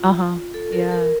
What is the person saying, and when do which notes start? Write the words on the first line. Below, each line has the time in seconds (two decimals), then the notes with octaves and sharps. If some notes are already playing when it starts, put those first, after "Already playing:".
Uh-huh, yeah.
Already playing: F4
0.54 A4
0.72 A#4
0.91 A#4